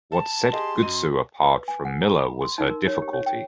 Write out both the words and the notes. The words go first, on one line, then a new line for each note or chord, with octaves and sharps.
What set Gutsu apart from Miller was her difficulty.
A5
G4 G#4 D#5 C6
F#2 D#5 D#7
B4
G#5
F#5
A#5
B5
C6
D#4
A#4
C#5
G4
C#5
G5